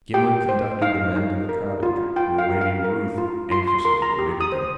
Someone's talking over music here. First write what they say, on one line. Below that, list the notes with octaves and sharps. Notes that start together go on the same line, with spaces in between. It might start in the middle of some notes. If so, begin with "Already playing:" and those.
Gimblet conducted the men to the cottage, where Lady Ruth anxiously awaited them.
G4 G5
C5
D#4 F5
D#4
A#4
F4
F4 G5
F5
A#4
F5
A#4
F4
F4 C6
C6
A#4 C6
A#5
G4
D#6
C5